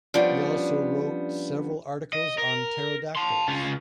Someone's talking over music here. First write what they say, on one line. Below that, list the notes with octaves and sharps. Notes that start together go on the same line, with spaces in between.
He also wrote several articles on pterodactyls.
F3 G3 B3 C#4 D4
D#5
A#4
A5 C6
C#3 F4